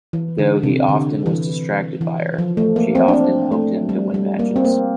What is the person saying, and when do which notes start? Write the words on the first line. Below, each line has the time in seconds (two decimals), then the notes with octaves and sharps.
Though he often was distracted by her, she often helped him to win matches.
0.13 E3
0.38 D3
0.63 C3
0.88 D3
1.26 E3
2.01 E3
2.39 F3
2.57 A3
2.76 A#3
2.95 C4
3.08 D4
3.13 C4
3.52 A3
3.89 G3
4.14 G3
4.39 A#3
4.56 C4
4.65 A#3